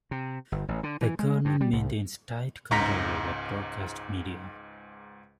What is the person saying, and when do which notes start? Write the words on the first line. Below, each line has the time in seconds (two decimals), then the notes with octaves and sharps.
The government maintains tight control over broadcast media.
0.11 C3
0.52 G1
0.68 A1
0.83 D3
1.01 E3
1.19 G#3
1.45 G2
1.61 G3
1.73 C2
2.71 C#2 G#2 A#5 A#6 B6